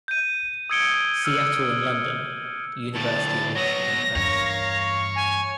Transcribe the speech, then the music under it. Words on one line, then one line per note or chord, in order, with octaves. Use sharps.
Seattle and London: University of Washington Press.
G6 D#7
D#6 E6 G#6 C#7 D7 G7
E6 F6 G#6
D2 A2 A5 A6
F#3 B3 C#5 A#6
E2 G2 A#4 C#5 F5
G#5